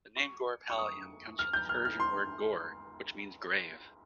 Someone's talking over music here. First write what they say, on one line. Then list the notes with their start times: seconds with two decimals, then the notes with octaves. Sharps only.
The name Gorippalayam comes from the Persian word "gor" which means "grave".
0.17 C#6
0.70 C#6
0.78 D#6
1.39 F6
1.53 G6
1.69 F6
1.85 F6
2.00 C6